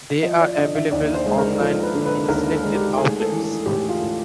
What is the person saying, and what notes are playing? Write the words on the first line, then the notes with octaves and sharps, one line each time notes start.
They are available online and in selected outlets.
F3 D#5
D5
D3 D#5
E5
D#2 D5
C5
G#3
A#4
F3 A4
B4
D3
B4
D#2 A#4
A4
G#3
G4
A3 G#4
A4
E3
A4
A2 G4
F4
A2